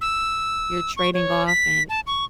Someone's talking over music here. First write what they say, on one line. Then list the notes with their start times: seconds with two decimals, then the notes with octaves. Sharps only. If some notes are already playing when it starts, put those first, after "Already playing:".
you're trading off and
0.01 E6
0.97 C#6
1.14 C#5
1.47 B6
1.89 A5
2.07 C#6